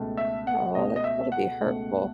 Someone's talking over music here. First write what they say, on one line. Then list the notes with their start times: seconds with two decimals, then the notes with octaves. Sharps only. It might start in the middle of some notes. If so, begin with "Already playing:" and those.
Oh, that's gotta be hurtful.
Already playing: C#2 B2 A3
0.17 E5
0.47 F#5
0.75 C#2 B2 A3 D#5
0.96 D#5
1.04 E5
1.32 F#5
1.61 C#2 B2 A3